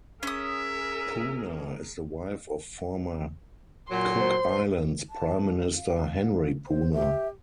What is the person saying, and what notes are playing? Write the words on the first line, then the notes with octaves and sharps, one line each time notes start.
Puna is the wife of former Cook Islands Prime Minister Henry Puna.
C#4 G#4 A#4 E5 D#6
A#2 F#3 C6
C5
A5
F5
C5
G4 E5